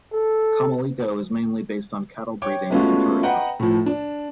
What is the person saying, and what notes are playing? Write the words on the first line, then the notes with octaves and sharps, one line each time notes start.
Comelico is mainly based on cattle-breeding and tourism.
A4
C#5 G5 D6
G#3 A3 B3 C#4 F4 F#4
B4 D#5 F#5 G5 A#5
A2 F3
D4